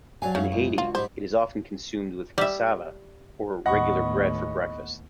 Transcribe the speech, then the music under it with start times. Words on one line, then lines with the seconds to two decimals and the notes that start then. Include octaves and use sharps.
In Haiti, it is often consumed with cassava or regular bread for breakfast.
0.22 F#3 D5 F5 G#5
0.35 F#2 C#3 E4
0.52 C#2
0.78 D4 F4 F#4
0.95 G#2 G3 C5
2.38 G3 E5
3.66 D#2 A2 B3 D#5 F#5 B5 C#6